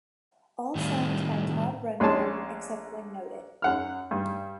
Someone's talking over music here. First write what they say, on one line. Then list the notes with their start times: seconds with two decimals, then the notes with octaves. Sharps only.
All songs by Todd Rundgren; except when noted.
0.75 A2 D#3 G3 C4 D4 F5
2.00 A#1 G#3 C#4 D5 A5 C6
3.62 F#2 F#5 F6
4.11 G2